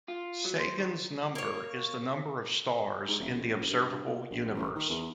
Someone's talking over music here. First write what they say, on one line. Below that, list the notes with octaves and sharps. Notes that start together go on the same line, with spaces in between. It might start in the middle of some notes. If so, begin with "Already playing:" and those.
Sagan's number is the number of stars in the observable universe.
F4
F#3
C5
D#3
A#3 C#5
G#2
D#1
A1
F#1
G2
G2
A#2
A#1
A1
D#3
E2